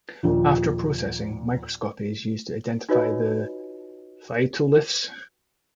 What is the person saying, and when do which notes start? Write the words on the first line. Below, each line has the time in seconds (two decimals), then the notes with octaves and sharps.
After processing, microscopy is used to identify the phytoliths.
0.23 D#2 A#2 F3
2.89 D#4 F4 F#4 B4 C#5 D#5